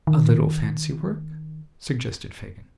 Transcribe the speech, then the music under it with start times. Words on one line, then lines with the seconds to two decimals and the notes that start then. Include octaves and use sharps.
'A little fancy work?' suggested Fagin.
0.07 D#3